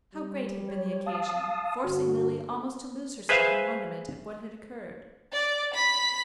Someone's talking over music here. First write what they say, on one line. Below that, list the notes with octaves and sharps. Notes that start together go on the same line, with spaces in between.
How great had been the occasion, forcing Lily almost to lose herself in wonderment at what had occurred!
G3
C#5
F5 A5 D#6
G2 D3 F#4
G#4 B4 C5 E5 F5 G#5
D5
B5 B6